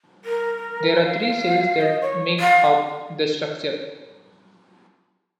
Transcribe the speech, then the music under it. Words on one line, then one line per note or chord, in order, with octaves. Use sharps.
There are three "sails" that make up the structure.
A#4
F5
D#5
C#5
F5